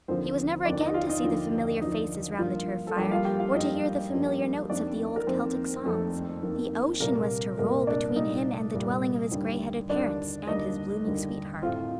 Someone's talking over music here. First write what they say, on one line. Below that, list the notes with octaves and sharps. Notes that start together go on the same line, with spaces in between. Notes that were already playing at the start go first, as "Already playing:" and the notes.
He was never again to see the familiar faces round the turf fire, or to hear the familiar notes of the old Celtic songs. The ocean was to roll between him and the dwelling of his greyheaded parents and his blooming sweetheart.
D#2 D3 F3 C4 C5
D#2 D3 F3 D4 D5
D#4 D#5
F4 F5
D#4 D#5
D#2 D3 F3 F4
D#2 D3 F3 D#4
G2 F3 A#3 F4
A4
G2 F3 G3 A#3 G4
F4 F5
G4 G5
F4 F5
G2 F3 A#3 D#4 D#5
G2 F3 A#3
F2 D#3 A#3 D4 D5
A#4
F2 D#3 A#3 C4 C5
F2 D#3 A3 A#3 A4
F2 D#3 A#3
C2 A#2 G3 A#3 A#4
C2 A#2 G3 A#3 A#4
D4 D5
C2 A#2 G3 D#4 D#5
C2 A#2 G3
D#2 D3 G3
D#2 D3 G3 D4 D5
D#2 D3 G3 D#4 D#5
D#2 D3 G3
A2 A3 C4 F4 F5